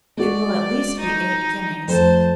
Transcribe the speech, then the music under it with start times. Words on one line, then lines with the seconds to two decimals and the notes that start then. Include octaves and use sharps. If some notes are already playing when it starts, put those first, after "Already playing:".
It will at least be eight guineas.
0.17 G#3 F#4 D5
0.99 D#4
1.88 F2 A3 C5 A5